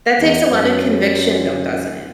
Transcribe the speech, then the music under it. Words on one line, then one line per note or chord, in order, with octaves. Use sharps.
That takes a lot of conviction though, doesn't it?
E2
F#2